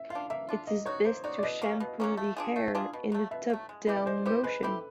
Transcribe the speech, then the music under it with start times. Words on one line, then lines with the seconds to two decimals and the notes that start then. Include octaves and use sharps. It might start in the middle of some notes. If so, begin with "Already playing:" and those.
It is best to shampoo the hair in a top down motion.
Already playing: E5
0.10 D4 F4 F5
0.30 A#3 E5
0.49 D4 F4
0.67 A#3 D#5
0.86 D#4 F#4 C#5
1.05 A#3 C5
1.24 D#4 F#4 D5
1.39 D5
1.43 B2 D#5
1.62 F#3 A#3 C#4 F5
1.80 B2
2.00 F#3 A#3 C#4
2.17 A3
2.37 D4 F4 G#4
2.56 A3 E5
2.74 D4 F4 G#4 F5
2.93 B2
3.12 F#3 A3
3.31 B2 E5
3.50 F#3 A3
3.69 G#3
3.87 B3 E4 G4
3.96 D5
4.06 G#3 C5
4.26 B3 E4 G4 C5
4.43 G#3 B4
4.63 C4 E4 G4 A4